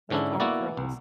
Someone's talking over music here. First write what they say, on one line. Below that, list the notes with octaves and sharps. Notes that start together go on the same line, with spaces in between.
like arm curls,
G#2 D3 C#4 D4 E4
A#3 B3 E4 F#4 D5
C2